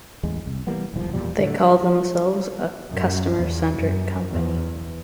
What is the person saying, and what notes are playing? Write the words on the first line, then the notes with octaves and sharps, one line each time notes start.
They call themselves a customer-centric company.
A1 E2 G#3
C2
E3 G3 A#3 B3
D#1 B1 E2 F3
E2 A#2 F3 G3
A2 D3 G#3 A3
F#2
E2
F#2
E2